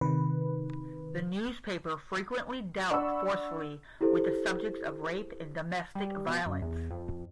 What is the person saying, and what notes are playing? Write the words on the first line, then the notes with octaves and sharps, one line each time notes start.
The newspaper frequently dealt forcefully with the subjects of rape and domestic violence.
C3 D#3 B4
D4 F#5 B5 C#6 E6
E4 G4 A4 C5
G3
B2
F#2
E2
F2